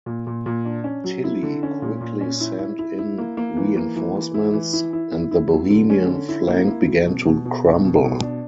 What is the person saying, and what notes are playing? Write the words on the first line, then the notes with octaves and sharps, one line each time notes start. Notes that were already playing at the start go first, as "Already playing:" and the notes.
Tilly quickly sent in reinforcements, and the Bohemian flank began to crumble.
A#2
A#2
A#2
D4
C#4
F#3
E4
D3
C#4
A#2
A#2
C#4
E4
E4
E4
E4
A#3
A#3
E3
A#3
E3
E3
E4
E3
E4
E4
E4
E4
F#3
D3
C#4
D3
E4
A#3
E4
F#3
B2
B2
B2
B2
B2
B2
D4